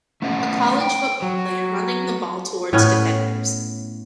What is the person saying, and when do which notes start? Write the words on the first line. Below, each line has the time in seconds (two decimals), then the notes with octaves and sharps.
A college football player running the ball towards defenders.
0.22 A3 C#4 C5 D#5 F#5
0.80 G5
1.22 F#3
2.73 A2 B3 C#4